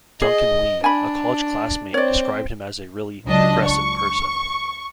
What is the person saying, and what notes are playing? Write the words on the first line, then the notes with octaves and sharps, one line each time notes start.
Duncan Lee, a college classmate, described him as a really "progressive person".
G#4 D#5
D4 G#5 B5
C4 C#5 D5
C#2 F#3 D4 D#5
C#6